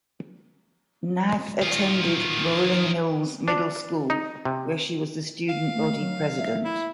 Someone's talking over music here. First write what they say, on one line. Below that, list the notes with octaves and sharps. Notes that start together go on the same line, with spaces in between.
Nag attended Rolling Hills Middle School where she was the student body president.
D#3 F4
D4
D#4
C3
F5
A3
F#3
E5
E4